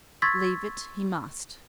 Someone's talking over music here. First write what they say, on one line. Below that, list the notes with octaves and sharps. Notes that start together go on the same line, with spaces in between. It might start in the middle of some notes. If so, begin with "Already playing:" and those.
Leave it he must.
C6 C#6 E6 G#6 A6 B6